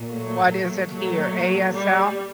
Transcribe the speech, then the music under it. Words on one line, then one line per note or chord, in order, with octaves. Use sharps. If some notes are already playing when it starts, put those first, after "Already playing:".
What is it here? ASL?
Already playing: A#2
F#3 A3
A#2
F#3 A3
G3